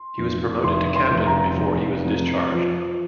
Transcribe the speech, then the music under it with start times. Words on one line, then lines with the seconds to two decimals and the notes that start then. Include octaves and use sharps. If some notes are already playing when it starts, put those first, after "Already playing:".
He was promoted to Captain before he was discharged.
Already playing: C6
0.18 F1
0.64 F1 C6
0.96 C6
1.11 F1
1.27 A#5
1.57 F1
2.05 F2
2.52 F3